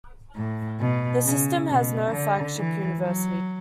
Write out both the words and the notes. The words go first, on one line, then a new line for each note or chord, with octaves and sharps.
The system has no flagship university.
A2
B2
C#3
B2
D3
E3
F#3